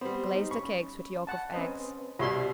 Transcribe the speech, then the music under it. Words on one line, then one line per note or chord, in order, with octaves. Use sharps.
Glaze the cakes with yolk of eggs.
G3 B3 C4 B5 C6
D#4
C#4 B5 C#6
F#5 A5
C4 C#4 B4 C5 D#5
C2 B2 F4 G4 C#5 D5 E5 C6